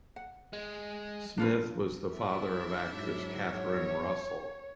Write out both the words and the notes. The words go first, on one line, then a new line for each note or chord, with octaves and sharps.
Smith was the father of actress Catherine Russell.
F#5
G#3
D4 F4 B4
D4 E4 E5
G#2 F#3
C#5